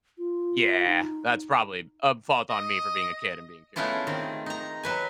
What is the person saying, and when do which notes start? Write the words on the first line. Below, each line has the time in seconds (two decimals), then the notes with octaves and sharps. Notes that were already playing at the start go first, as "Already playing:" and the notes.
Yeah. That's probably a fault on me for being a kid and being curious. But,
0.18 F4
0.87 D#4
2.50 D#5
3.76 G#3 A3 B3 C#4 E4 F4
4.07 D#3 C4
4.46 D#4 A#5
4.83 F#3 B4 G#5